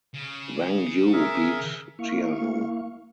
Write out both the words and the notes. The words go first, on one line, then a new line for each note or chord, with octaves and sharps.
Wang Yue beat Jianu.
C#3
G#4 A#4 E5
A#3 E4 F5 C#6